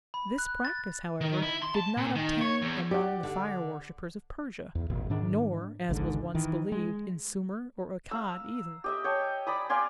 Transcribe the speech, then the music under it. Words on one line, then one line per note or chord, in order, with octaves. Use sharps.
This practice, however, did not obtain among the fire worshippers of Persia, nor, as was once believed, in Sumer or Akkad either.
B5
F#6
A6
D#3
E4
C6
A5
A#2
D#3
C#5
E2
G4 D5 F#5
D3
E2
D#1 G#1 A#2
G#2 D#3 D4
G#1 C#2 G#2 D3
D#3 E3
G#3
F5 A#5 E6
G4 D#5 E5
C#5 G5 A5
D5 A#5 B5 D#6
D5 F5 G#5 C6